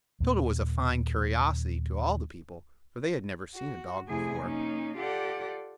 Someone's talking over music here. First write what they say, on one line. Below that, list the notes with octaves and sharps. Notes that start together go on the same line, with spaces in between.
Toto was a fine curiosity to all the people, for they had never seen a dog before.
D#2 A#2 A#3
F#4
F2 C3 A3 E4 G#4 G#5
A#3 C#4 D#4
F4 G4 A4 D5 F#5